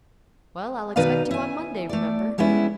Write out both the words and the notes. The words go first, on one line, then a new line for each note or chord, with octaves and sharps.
"Well, I'll expect you on Monday, remember."
B2 D#3 D#4 B4 D5 F5
E4 G#5
A3 D5
G3 G#3 B3 C#4 E4